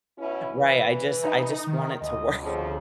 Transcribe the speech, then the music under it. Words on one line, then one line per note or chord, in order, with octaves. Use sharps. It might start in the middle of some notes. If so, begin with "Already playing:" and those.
Right, I just I just want it to work,
B2 C#4 E4
E3
D#4
D#3
D2 D#5
F2 C#3